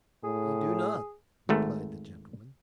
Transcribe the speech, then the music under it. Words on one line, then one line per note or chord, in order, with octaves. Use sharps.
"I do not!" replied the gentleman.
A2 G#4
G#1 G#2 A3